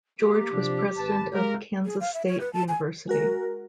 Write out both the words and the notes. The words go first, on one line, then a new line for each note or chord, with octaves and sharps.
George was president of Kansas State University.
A#3 G4
C3 F3 D4
G#1 B4 A5
G#3 F4 A#4
G#4
F5
E5
C#5
B4
A5
G#5
G#3 F#4 A#4